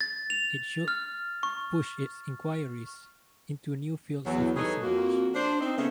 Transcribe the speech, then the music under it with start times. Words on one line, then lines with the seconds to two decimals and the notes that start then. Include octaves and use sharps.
It should push its inquiries into new fields of research.
0.01 A6
0.30 F7
0.88 F6
1.43 C#6
4.25 E2 F#3
4.56 G3 D#4 G#4 A4 B4 C#5
4.83 F2 A#3 F#4
5.34 D4 C5
5.60 C4 D#4
5.77 C#3 A3 B3